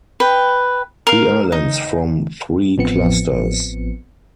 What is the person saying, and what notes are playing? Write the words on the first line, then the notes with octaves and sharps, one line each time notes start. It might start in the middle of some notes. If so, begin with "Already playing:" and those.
The islands form three clusters.
B4 G5
A#4 F5
D#4
A1 F3 B3 C4 C#7